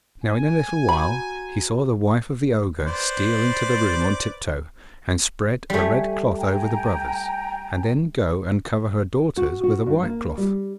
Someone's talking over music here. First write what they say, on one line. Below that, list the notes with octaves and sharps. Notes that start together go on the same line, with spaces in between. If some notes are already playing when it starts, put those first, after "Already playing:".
Now in a little while he saw the wife of the ogre steal into the room on tiptoe and spread a red cloth over the brothers and then go and cover her daughters with a white cloth.
G#5
F#4 A#5 B5
B4 C5 D5
G3 A3 G#5
G5 G#5 A#5
F#4
F#4
G2
A#3
G3